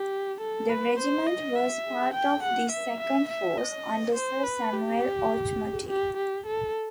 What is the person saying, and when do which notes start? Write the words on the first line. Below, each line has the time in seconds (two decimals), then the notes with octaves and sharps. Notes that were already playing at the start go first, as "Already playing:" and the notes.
The regiment was part of this second force, under Sir Samuel Auchmuty.
Already playing: G4
0.41 A4
0.69 B4
0.99 C5
1.27 D#5
1.56 E5
2.14 G5
2.43 F#5
2.72 E5
3.00 E5
3.29 E5
3.57 D#5
4.15 C5
4.44 B4
4.73 G4
5.89 G4
6.17 G4
6.47 A4